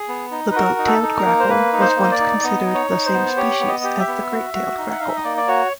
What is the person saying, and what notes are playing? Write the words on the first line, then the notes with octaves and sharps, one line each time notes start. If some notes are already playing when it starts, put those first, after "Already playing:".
The boat-tailed grackle was once considered the same species as the great-tailed grackle.
Already playing: G#4
B3
D#4
B4
F#4 A#4
D#4
A4
D#4
A#4
A#3
C5
A#3 B4
D#4
C5
A#3
D#5
D5
D#4
B3 D#5
D#4
C#5
D#4
C5
B3
G4 C#5
B3
D#5
G4
E5
B3
F#4
F#4
D#4
F#5
D#4 F5
E5
D#5
A#3 D5
D5
F#4 C#5